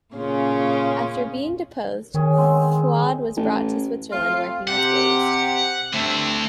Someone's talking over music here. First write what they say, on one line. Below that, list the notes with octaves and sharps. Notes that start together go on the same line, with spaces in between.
After being deposed, Fuad was brought to Switzerland, where he was raised.
A#2 C#3 C#4 F4
D#3 C#4 G#4
G#3 B3 C4
A1
A3 C4 F4
C3 C4 G4 F#5
G2 D3 A3 C4 E4